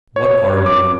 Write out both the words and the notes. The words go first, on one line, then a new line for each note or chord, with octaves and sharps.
What are you?
C#5
D6